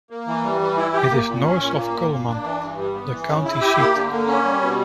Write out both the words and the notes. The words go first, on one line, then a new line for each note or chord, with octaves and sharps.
It is north of Cullman, the county seat.
A#3
E3
G3
E3
E4
G4
A#3
A#2
C#4
A#2
A#3
A#2
A#3
D4
E3
G2
G3
B3
E3
C#3
E4
G4
A#3
D3
A#3
C#4
G3
B2